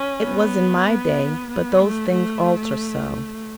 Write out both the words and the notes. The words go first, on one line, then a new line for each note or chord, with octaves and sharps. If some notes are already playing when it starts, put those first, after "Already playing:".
'It was in my day; but those things alter so.
Already playing: C#4
B3
B3
A3
A3